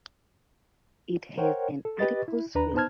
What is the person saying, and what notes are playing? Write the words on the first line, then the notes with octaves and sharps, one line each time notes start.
It has an adipose fin.
A#4 C5 C#5 F#5 G5
A4
G4 B4 D#5 A6
E4
D#2 D4 B4 A#5
B3 D#4 C5 A5 F6 G#6